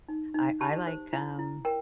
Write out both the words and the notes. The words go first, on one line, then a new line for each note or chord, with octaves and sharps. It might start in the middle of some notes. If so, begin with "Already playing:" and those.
I I like, um
D#4
D#4
G4 A5
C5
E4
E4
A#4 G5